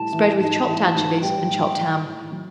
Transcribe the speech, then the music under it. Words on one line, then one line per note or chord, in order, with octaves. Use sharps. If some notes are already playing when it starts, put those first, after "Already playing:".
Spread with chopped anchovies and chopped ham.
Already playing: A2 G3 A5
E3
G#2 A5
E3
A5
G#2
G3 G5
G#2
E3
A2
F#3